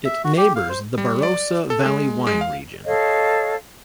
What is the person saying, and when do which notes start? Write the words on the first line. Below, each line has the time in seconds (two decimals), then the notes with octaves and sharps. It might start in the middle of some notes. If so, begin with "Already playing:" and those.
It neighbours the Barossa Valley wine region.
0.05 E5
0.24 F#4
0.37 G4
0.56 F5
0.69 C5
0.98 G3
1.23 D5
1.70 A4
1.86 G#3
2.27 G#3
2.41 F5
2.84 A4 C#5 D#5 F5